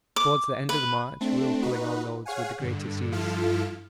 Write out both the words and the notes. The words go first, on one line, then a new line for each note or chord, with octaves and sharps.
Towards the end of the march we were pulling our loads with the greatest ease.
D6
B4
A3 C4 D4
D#4 F#4 B4
G#4 C#5 F5 F#5 G#5
G2 D3
G2 F3 E4 F4 A4 F6